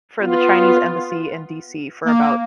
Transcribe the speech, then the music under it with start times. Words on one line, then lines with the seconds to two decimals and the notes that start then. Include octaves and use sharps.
for the Chinese embassy in DC for about
0.19 B3 F4
2.06 A#3